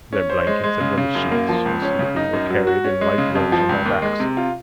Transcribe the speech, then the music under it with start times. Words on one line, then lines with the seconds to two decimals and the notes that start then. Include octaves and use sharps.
Their blankets and rubber sheets for sleeping were carried in light rolls on their backs.
0.13 C#4
0.30 C5
0.47 G#3
0.64 G#3
0.80 C#3
0.98 C#3
1.15 F#2
1.32 A#3
1.49 F3
1.66 C#2
1.82 C#4
1.99 C#3
2.16 D#4
2.33 F#2
2.50 F#3
2.67 F#4
2.84 C#4
3.01 G#3
3.18 C#3
3.35 F2
3.52 F3
3.69 C#2
3.86 D#2
4.02 G#3
4.20 C3
4.37 F4